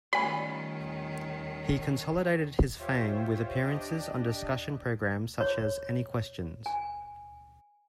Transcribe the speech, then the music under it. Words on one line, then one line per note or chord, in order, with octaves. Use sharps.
He consolidated his fame with appearances on discussion programmes such as Any Questions?
D#3 G3 A3 C#4 F4 D5 G#5 B5
F4 G4 C5 C#5 E5
D4 G4 D5 D#5
C#5
G#5